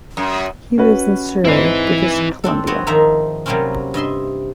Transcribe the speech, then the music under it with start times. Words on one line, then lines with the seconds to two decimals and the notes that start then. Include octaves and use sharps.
He lives in Surrey, British Columbia.
0.17 F#2
0.78 C#4 F#4 B4
1.45 G#2 C4 E4 B4 C7
2.44 C4 D4 A4
2.67 B3 C4 F#4 C#5 A5
2.87 G#2 D#3 F3 D#4 E5 A#5
3.46 C3 F#3 G3 A#3 C4 C#4
3.94 G2 D#5 E5 C6